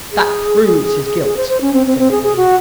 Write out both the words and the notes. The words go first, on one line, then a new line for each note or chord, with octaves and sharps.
'That PROVES his guilt,' said the Queen.
G#4
G#4
C5
C5
C#4
C4
C4
C4
G#4
G#4
F#4